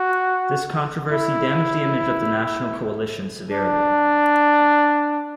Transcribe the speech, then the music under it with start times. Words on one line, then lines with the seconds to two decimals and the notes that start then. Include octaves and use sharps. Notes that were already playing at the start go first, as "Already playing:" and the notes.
This controversy damaged the image of the National Coalition severely.
Already playing: F#4
1.11 E4
3.51 D4